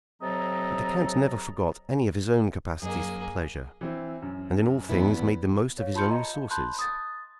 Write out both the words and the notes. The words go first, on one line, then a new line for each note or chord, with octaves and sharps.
But the count never forgot any of his own capacities for pleasure, and in all things made the most of his own resources.
C3 F#3 C4 A4 D#5 A#5
F#2 A#3 G#4 D#5
E3 C4 E4
F#2
E2 B3 E4
C#5 F5
F4 A5 B5 C6 G6 C#7
D#5 A#5
F5
A5 B5 C6 F#6 G6
D#6 A6